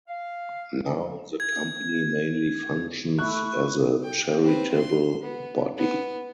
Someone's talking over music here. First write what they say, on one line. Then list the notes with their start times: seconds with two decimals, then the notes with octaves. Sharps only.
Now, the Company mainly functions as a charitable body.
0.08 F5
1.40 G#6
3.19 A3 E4 E5 C#6 F#6
4.03 G5
4.41 C4 B4
4.76 C6
5.21 B3
5.77 B3